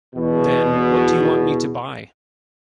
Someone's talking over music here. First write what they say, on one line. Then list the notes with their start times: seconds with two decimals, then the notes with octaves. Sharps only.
Then, what do you want me to buy?
0.16 E2 B2